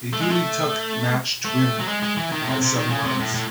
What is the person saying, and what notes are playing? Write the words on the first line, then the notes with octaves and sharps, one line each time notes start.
They duly took the match to win by seven runs.
A3
G#3
A3
A3
F#3
G#3
G#3
E3
D#3
A2
C3
C3
D#3
C#3
C3
A2
A2